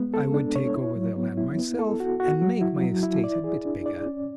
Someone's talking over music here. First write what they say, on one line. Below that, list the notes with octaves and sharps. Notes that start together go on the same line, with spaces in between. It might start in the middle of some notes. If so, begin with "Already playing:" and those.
I would take over their land myself, and make my estate a bit bigger.
Already playing: G#3 B3
A4
D4
C#5
E4
F#3
B3
E4
B3
A4
F#4
F#4
F#3
E4
F#3
E4
D5
G#4
D4
D5
C#4